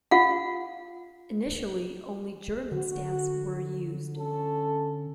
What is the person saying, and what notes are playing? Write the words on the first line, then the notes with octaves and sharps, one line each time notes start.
Initially only German stamps were used.
F4 F5 F#5
D3 F#4
C#4 A4